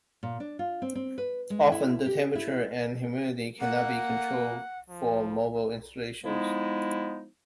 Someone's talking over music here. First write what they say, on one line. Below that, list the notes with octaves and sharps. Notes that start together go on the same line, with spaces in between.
Often the temperature and humidity cannot be controlled for mobile installations.
A#2
D4
F4
C4
C4
B4
G#3
E4
G4
E4
A#3 F#5
F3
F3 G#3 B3 D#4 E4